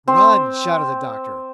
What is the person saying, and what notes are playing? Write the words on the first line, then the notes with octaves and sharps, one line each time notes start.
"Run!" shouted the doctor.
C4